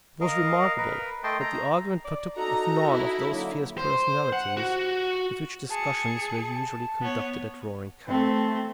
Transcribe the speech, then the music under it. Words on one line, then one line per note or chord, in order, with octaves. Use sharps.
It was remarkable that the argument partook of none of those fierce personalities with which discussions were usually conducted at Roaring Camp.
A#4 D#5 F5
A#4 B4
A3 D#5 G5 A5 C6
A#5
D5
D#4 F#4 A4 D#5 A#5
E4
D3 F#3 A#3
C5
F#5
F#4
G#4 A5 C#7
B3 C#5
A3 C4